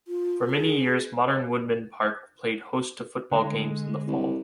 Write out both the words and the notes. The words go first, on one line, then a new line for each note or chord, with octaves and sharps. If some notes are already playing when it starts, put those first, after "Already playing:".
For many years, Modern Woodmen Park played host to football games in the fall.
F4
G#4
D3 G#3
C2